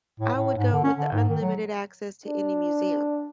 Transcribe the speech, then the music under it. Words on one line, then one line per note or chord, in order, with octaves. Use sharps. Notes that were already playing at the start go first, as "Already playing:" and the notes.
I would go with the unlimited access to any museum.
A2
A2
G#2
D3
C#4
D3
G#2
D#3
F#3
D4